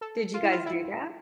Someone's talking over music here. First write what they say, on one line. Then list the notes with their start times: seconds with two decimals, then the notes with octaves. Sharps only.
Did you guys do that?
0.01 A4
0.34 F4
0.43 E4
0.52 F4
0.66 E4